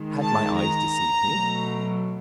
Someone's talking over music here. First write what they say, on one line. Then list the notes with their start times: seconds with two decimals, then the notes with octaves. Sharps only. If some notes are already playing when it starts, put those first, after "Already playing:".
Had my eyes deceived me?
Already playing: D#3 G#3
0.22 A5
0.57 A#5
1.26 B2 F#3 A3